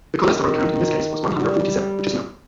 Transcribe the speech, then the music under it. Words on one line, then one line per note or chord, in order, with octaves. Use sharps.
The cholesterol count in this case was one hundred forty-seven, which is low.
D#3
G3